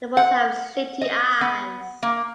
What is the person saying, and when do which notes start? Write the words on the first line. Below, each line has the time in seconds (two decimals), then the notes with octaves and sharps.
They both have slitty eyes.
0.17 F#5
1.01 D#5
1.41 B3
2.03 A#3